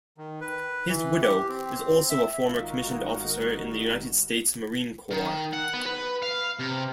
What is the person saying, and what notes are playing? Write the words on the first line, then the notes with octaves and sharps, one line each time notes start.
His widow is also a former commissioned officer in the United States Marine Corps.
D#3
B4
E3
G4
C4
E5
G#1 D#4 F4 F#4 A#4
A2 G3 E7
D#3
F#5
B3
B4
F5
C3